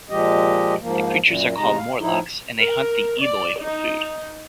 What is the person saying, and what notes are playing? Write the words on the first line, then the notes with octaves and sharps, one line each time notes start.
The creatures are called "Morlocks" and they hunt the Eloi for food.
A#2 F3 G#3 G4 D#5
G#2 F3 A#3
F#2 A#2
E2 C3 G#3 D#4 A#5
F5
A2 F3 D#4 E4
A#4
D5
D#4